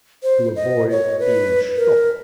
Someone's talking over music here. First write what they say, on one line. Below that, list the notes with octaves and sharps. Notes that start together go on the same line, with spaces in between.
"To avoid being shot."
C5
D#5
C#5
B4
A#4